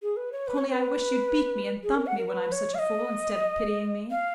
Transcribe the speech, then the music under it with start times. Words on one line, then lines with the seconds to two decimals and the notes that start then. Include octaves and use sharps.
Only I wish you'd beat me and thump me when I'm such a fool, instead of pitying me.
0.02 G#4
0.17 B4
0.32 C#5
0.47 B4
0.58 C#5
0.68 C#5
0.72 B4
1.83 G#4
1.95 A#4
2.07 F#5
2.18 A#4
2.29 B4
2.52 C#5
2.75 F5
2.79 D#5
4.11 F5